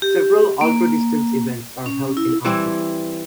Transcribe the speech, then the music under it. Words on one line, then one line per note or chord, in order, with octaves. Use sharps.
Several ultra distance events are held in Africa.
G4
A#3
C#4
E4
E3 G3 C4 E4